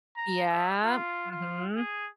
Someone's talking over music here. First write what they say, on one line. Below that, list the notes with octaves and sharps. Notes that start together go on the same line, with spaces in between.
Yeah. Mhm.
A#5
E5
F4
F4
G#4